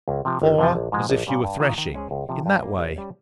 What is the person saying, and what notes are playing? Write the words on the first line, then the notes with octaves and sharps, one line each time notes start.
Four, as if you were threshing--in that way.
C#2
C3 F3
G1
F2 C3 F3
A#1
G#2 F3 G#3
A#1
A#2 G3 C#4
G2
D#3 A#3 F4
D#3
G#3 C#4 G#4 C5
C#2
C3 F3
G2
G3 A#3 F4
A#1
G3 C#4